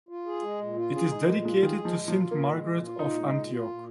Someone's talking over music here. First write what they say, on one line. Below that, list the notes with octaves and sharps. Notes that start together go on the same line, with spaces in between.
It is dedicated to St Margaret of Antioch.
F4
G#4
G#3
A#2
F4
C#4 G#4
G#3 D#4
A#2 A#3
G#3 F4
D#3 G#4
G#3
F3
A#2
F3
F4
A#2 A#3
G#3
A#2
F4
A#2 D#4
G#3
A#2
F4
A#2